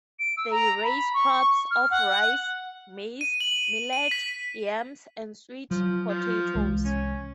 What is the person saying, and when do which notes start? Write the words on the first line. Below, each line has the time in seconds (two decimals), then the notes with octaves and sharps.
They raise crops of rice, maize, millet, yams, and sweet potatoes.
0.19 D7
0.37 E6
0.51 A#5
0.84 B5
1.14 C#6
1.71 F6
1.91 F#5
3.21 D#7
3.40 F#7
3.65 F#7
3.93 D#7
4.11 B6
5.71 F3 F#3
6.09 F3
6.55 C2 E3 G#3
6.85 C#4